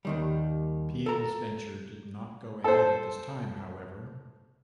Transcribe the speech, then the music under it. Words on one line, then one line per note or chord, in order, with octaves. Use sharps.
Peel's venture did not go ahead at this time, however.
D#2 D#3 G3
A4 A#5
A4 C5